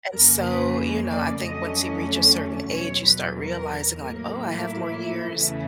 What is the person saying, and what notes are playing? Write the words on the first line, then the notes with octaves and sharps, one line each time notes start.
and so, you know, I think once you reach a certain age, you start realizing like, "Oh, I have more years,
F2 C#3 F3 A#3 A#4
B4
D5
F2 D3 F#3 A3 C#4 D#5
E2 B2 F#3 C#5
B4
A#4
A2 F#3 A#3 A#4
E4
E2 C#3 E3 A3